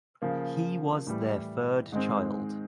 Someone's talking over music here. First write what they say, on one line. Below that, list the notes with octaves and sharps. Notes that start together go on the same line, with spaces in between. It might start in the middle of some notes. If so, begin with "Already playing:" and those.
He was their third child.
C#3 F3 A#3
A2 E3 G3
G#2 D#3 G#3 C4